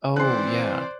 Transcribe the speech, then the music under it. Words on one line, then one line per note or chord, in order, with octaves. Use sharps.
Oh yeah.
E3 C4 C5 D5 C6 F#6